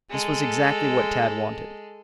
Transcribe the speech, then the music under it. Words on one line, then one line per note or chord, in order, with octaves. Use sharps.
This was exactly what Tad wanted.
G#3 A4